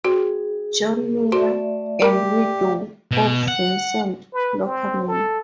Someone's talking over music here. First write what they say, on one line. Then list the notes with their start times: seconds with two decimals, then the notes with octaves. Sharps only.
John Miller and widow of Vincent Loockerman.
0.04 C4 F#4 G#4
1.32 A3 F#4 C5 D5 E5
2.02 G4 A#4 B5
3.11 B2
3.48 F#5
4.33 B4
4.65 C4
5.08 A4